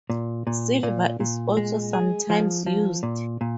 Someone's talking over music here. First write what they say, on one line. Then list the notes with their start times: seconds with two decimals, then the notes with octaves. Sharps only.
Silver is also sometimes used.
0.10 A#2
0.47 A#2
0.83 A#2
1.20 A#2
1.57 G#3
1.93 G#4
2.30 F3
2.66 F3
3.03 A#2
3.41 A#2